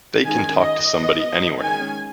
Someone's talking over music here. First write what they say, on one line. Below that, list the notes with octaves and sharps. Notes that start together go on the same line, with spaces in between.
They can talk to somebody anywhere.
D#3 G#3 C#4 G#5
D#5
F#3 B3
D#3 G#3 C#4 G#5